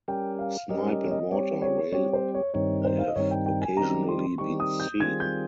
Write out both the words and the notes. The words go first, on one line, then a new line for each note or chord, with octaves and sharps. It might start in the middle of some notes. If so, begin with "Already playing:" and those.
Snipe and water rail have occasionally been seen.
G3 C#4 G4 A#4 G5
F5
G3 C#4 G4 A#4 D#5
D#5
C#5
D#5
G3 C4 G4 C#5
C#5
G3 C4 G4 C#5
C5
C#5
G2 D#3 G3 C4 D#4 C#5
C5
F5
D#5
G2 D#3 G3 C4 D#4 C#5
G5
G5
G#5
D#3 G3 C4 D#4 G4 A#5
C6
D#3 G3 C4 D#4 G4 C#6
D#6
G6
D#3 G3 C4 F4 G#4 G#6
G6